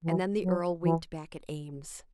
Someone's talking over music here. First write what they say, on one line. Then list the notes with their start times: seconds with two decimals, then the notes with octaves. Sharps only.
And then the earl winked back at Eames.
0.03 E3
0.43 F#3
0.82 E3